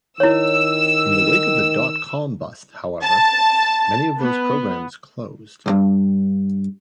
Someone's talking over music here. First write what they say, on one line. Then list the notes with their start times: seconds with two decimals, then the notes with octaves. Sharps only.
In the wake of the dot-com bust, however, many of those programs closed.
0.20 D#3 E4 C#5 E6
3.02 A5
4.18 B3
5.66 B1 G2